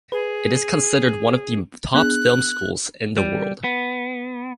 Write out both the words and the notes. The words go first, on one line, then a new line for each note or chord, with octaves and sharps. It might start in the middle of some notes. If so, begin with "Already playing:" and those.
It is considered one of the top film schools in the world.
G#4 B4
B3 D4 G#4 F#6
G3
B3